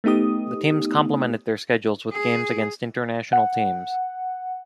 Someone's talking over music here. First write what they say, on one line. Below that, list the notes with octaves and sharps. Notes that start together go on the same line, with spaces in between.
The teams complemented their schedules with games against international teams.
A3 B3 D#4 G4 D#6
G#4
F#5